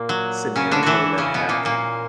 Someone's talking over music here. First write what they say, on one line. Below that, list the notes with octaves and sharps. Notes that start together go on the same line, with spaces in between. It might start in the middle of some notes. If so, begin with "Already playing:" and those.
scenario that happened.
Already playing: A#2 A#3
F#3
C#3 C#4
D3 D4
E3 E4 F#4
C#3 C#4
B2 B3
A#2 A#3
A#2 A#3